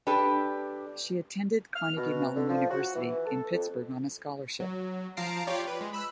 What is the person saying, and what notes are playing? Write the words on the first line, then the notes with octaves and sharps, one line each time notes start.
She attended Carnegie Mellon University in Pittsburgh on a scholarship.
D4 G4 A4 B4
F6
B2
D3
F3
F#4
E3
A4
F2
F#3
F3 F5 A5 A#5 C7 D7
F4 G4 C#5 D5 F5
B4
G#3
B5 E6 F#6